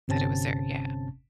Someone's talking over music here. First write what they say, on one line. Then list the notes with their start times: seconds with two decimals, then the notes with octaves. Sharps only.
That it was there. Yeah.
0.08 G1 C3 C4 C#4 A5 A6